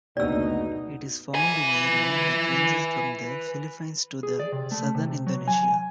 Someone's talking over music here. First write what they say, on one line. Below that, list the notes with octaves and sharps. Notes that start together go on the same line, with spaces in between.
It is found in area that ranges from the Philippines to the southern Indonesia.
F#1 D2 B2 D#4 D5 E6
B4 G#5
G#4
D5
C3
A3
C3
F#3
G#5